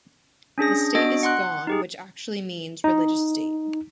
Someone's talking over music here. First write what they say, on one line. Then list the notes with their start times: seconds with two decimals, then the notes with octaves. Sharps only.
The state is gone", which actually means "Religious state?
0.58 C#4 D4 G#4 A#6
0.95 B3 D4 F#4 D#5 D7
1.23 F#5 C6 F#6
1.67 D#4 G4 G#4
2.84 D#4